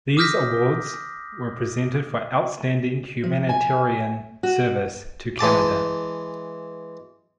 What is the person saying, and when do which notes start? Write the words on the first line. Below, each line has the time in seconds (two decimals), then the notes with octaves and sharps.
These awards were presented for outstanding humanitarian service to Canada.
0.17 D6 D#6 F6 G6 A#6 B6
3.24 F3
3.49 G#5
4.43 F#4
5.39 E3 G#3 A5 D6